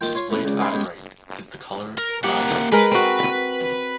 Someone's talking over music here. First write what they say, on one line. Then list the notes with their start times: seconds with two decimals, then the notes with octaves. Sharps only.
Displayed at right is the color "rajah".
0.01 D#2 D#3 F4 G5
0.15 F4 C#5 C6
0.30 E3 A3 B3 C#4 F#4
0.43 C#2 C#3 D5
0.59 C#4 D#4 G#4 B4 E5 C6
0.73 G#3 B3 C#4 G4 G#4
1.98 A#4
2.24 A#3 G4 F#5
2.72 G#3 A#4 B4
2.91 C4 F#4